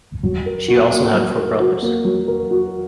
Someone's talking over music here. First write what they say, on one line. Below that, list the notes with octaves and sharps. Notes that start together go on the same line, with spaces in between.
She also had four brothers.
F#3
A#4
F#4
A#3
F#3
A#4
F#4
A#3
F#3
A#4
F#4